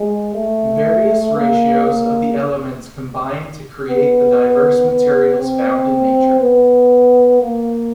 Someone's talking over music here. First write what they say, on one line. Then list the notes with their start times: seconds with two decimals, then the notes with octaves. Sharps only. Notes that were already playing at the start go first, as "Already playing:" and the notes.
Various ratios of the elements combine to create the diverse materials found in nature.
Already playing: G#3
0.34 A3
1.36 A#3
1.86 A#3
3.88 B3
4.89 B3
5.39 C4
6.40 B3
7.42 A#3